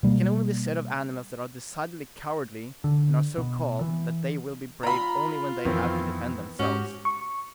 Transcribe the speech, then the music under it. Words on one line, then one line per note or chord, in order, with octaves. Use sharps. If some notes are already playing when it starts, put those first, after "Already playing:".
It can only be said of animals that are decidedly cowardly, and are so called, that they will be brave only when they have to defend themselves.
B2 G3 G#3 A#3
D3
B2
E3
F4 A#5 B5
F2 D#3 E3 B3 C4
G#2 C#4 F#4 G4
C#6